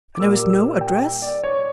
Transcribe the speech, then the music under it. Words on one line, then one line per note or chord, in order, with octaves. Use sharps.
And there was no address?
D6
A#2 G3 A#3 E6
E6
G5
D5
C#5